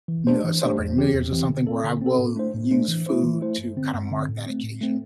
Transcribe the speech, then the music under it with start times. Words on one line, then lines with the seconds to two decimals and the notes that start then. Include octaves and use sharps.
you know, celebrating New Years, or something, where I will use food to kinda mark that occasion.
0.08 E3
0.27 A3 D4 G4 C5
0.44 E3
0.62 A3 D4 G4 C5
0.79 E2
0.96 E3 C4 G4
1.14 E2
1.31 E3 C4 G4
1.49 D3
1.66 C4 A4
1.84 D3
2.01 C4 A4
2.19 A2
2.36 A3 D4 C5
2.54 A2
2.71 A3 D4 C5
2.88 E3
3.06 A3 E4 C5
3.24 E3
3.41 A3 E4 C5
3.58 G2
3.76 D3 C4
3.94 G2
4.11 D3 C4
4.28 A2
4.46 A3 C4
4.64 A2
4.81 A3 C4